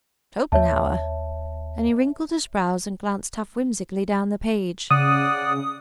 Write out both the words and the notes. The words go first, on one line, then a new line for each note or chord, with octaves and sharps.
"Schopenhauer," and he wrinkled his brows and glanced half whimsically down the page.
D#2 C#5 E5 A5
C#3 D5 F#5 D#6